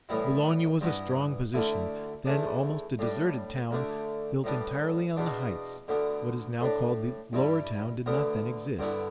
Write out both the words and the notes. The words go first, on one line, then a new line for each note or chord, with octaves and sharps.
Boulogne was a strong position, then almost a deserted town, built entirely on the heights; what is now called the lower town did not then exist.
A2 E3 G3 B3 E4
G2 E3 B3
D2 D3 A3 E4
E2 E3 A3 D4
A2 G3 D4
D2 D3 A3 D4
A2 G3 B3 D4
E2 B2 B3 D4
D2 D3 B3
A2 A3 D4
G2 G3 E4
D2 D3 B3
G2 D3 B3 E4